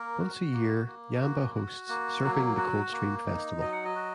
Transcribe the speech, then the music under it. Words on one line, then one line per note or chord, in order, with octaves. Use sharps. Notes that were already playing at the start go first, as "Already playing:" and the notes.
Once a year Yamba hosts "Surfing The Coldstream Festival".
Already playing: A#3 A#4
F#4
A#3
A#3
F#4
F#4
A#3
F#3
F#4
A#3
D#4
F#3 D#5
F#5
D#5
F#4